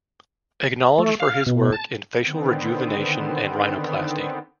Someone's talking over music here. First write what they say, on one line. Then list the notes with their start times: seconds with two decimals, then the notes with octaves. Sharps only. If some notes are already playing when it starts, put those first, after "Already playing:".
Acknowledged for his work in facial rejuvenation and rhinoplasty.
0.99 A3
1.20 F5
1.46 B2
1.72 A5
2.20 D3 D#3 B3 C4